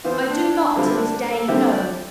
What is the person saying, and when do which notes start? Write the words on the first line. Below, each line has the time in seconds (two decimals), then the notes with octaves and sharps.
I do not to this day know.
0.04 E3 B3 F4 C5
0.28 D4
0.53 D4
0.76 D3 G3 C4 E4 F4
0.94 D4
1.30 A4
1.48 D3 G3 C4 E4 G4 C5
1.66 D5